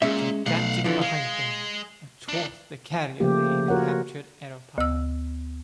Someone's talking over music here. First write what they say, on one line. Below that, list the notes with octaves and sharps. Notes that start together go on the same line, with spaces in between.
Gigantic behind them, athwart the carrier lay the captured aeropile.
A#2 G#3 C#4 E5
B1 A3 F5 F#5
F2 D3 E3 F3
G#3 F5
D4 D#4
C#3 F3 A3 A#3 G4
F4 F#4 A#4 C#5 F#5
D2 E6